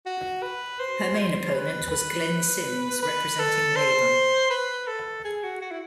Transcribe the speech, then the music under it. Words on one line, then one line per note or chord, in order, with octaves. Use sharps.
Her main opponent was Glenn Sims, representing Labor.
F#4
B4
C5
C5
B4
B4
B4
A4
C5
B4
A4
G#4
F#4
F#4
E4